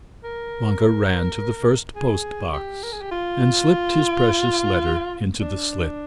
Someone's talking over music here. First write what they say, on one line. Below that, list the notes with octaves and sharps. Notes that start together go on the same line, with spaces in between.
Vanka ran to the first post-box and slipped his precious letter into the slit.
A#4
G#4
G4
A#4
G#4
G4
F4
D4